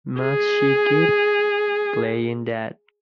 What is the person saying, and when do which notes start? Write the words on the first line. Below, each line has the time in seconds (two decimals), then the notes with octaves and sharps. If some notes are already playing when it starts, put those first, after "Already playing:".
Must she keep playing that?
0.20 G#4